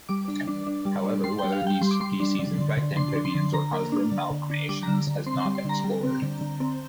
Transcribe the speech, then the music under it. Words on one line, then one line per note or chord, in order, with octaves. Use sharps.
However, whether these species infect amphibians or cause limb malformations has not been explored.
G3 D6
D4
D4
D4
G3
D4
G3 C6
G3 G5
F5
G3 G5
G3 C6
D6
G3 C6
D4
D3
D3
D3
D4 C6
D4
C6
D3
D3 A#5
A#3
D4
D3
D3
D4
G3 D6
D3 A#5
D3
C4 C6
C6
G3
C6
D3 A#5
G3
C4
D3
D3
C4